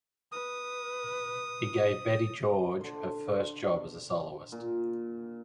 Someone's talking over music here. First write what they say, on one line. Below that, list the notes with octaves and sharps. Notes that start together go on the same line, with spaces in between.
He gave Betty George her first job as a soloist.
B4 D#6
D3 C5
A#2